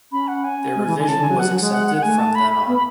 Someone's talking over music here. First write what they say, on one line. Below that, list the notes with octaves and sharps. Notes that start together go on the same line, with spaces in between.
Their revision was accepted from then on.
C#4 B5
F#5
G#5
G#3
E3
D3 G#5
C#3 A5
D3
G#5
F#3
F#3 F#5
F#3
G#3
F#5
F#5
F#5
A3 G#5
A5
B5
B5
B3
B5